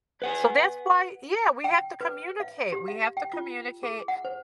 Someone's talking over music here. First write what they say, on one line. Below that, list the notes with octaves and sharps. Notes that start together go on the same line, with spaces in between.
So, that's why yeah, we have to communicate, we have to communicate
B4 F#5 G#5
G5
B4
F5
G4
F5
G5
F4
G#4
F#5
C5